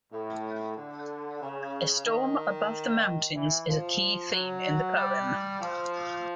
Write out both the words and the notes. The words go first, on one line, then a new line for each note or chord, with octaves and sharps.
A storm above the mountains is a key theme in the poem.
A2
D3
C#3
D#3
E3
F3
F#3
G3
F3